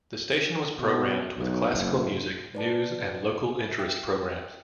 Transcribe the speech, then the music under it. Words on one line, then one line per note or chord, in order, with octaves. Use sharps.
The station was programmed with classical music, news and local interest programs.
B2
B1
F#1
B4 D5 A5
E5 G5